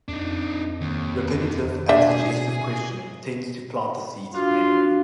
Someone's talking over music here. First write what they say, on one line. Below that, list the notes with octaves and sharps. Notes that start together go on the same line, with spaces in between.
Repetitive and suggestive questioning tends to plant the seeds of memory.
F2 D4 D#4
D#2
B2 D4 G#4 E5
D4 F4 F#4